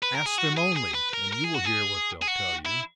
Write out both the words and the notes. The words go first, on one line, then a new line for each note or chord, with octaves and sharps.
Ask them only and you will hear what they'll tell you.
B4
A#4
G#4
F#4
G#4
G#4
B4
A#4
A#4
G#4
F#4
G#4
G#4
F#4
E4